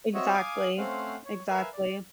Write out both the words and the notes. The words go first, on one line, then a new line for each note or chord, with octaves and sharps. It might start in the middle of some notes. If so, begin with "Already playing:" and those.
exactly, exactly.
C4 F#4 C#5 D#5 E5
F5 G#5 D6 D#6
A3 C4 C#4 C5 F5 F#5
C#5
A#4 B4 E5 F5 G#5
D5